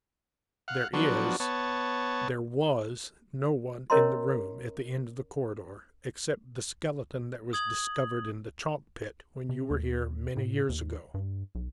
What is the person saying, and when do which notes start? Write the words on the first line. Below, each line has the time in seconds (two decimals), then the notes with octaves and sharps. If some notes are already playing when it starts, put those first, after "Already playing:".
There is--there was--no one in the room at the end of the corridor, except the skeleton that was discovered in the chalk-pit when you were here many years ago.
0.68 F5 F#5
0.93 F3 F#3 B3 D4 F#4
1.40 B3 C#5 A5
3.90 C#4 A#4 C#5 D#5 A#5 C6
7.53 D#6 G#6 F#7
9.49 C3
9.70 D#2
10.37 A2
10.69 D#2
11.14 G2
11.55 B1